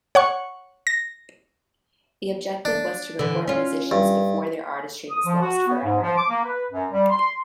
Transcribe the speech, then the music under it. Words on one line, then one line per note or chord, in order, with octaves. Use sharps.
The objective was to record musicians before their artistry was lost forever.
C#5 F#5 C#6
A#6
D4
D3 E3
C#4 F4
G2
D#6
F3
F#4
B3
G#2
F3
D6
A#3
B4
F#2
G3
C6